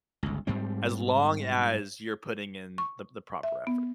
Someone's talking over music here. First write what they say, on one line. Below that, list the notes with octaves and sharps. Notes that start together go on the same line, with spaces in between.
as long as you're putting in the the proper effort.
G1 C#2
G#2 G3 C4
C#6
E5
B3